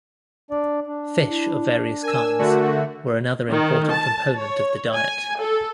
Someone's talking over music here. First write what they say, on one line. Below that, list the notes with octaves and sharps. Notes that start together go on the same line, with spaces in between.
Fish of various kinds were another important component of the diet.
D4 D5
D4
E4
A#4 G#5 E6
D3 A3 F#4
D#3
A5
C#5
G#5
A4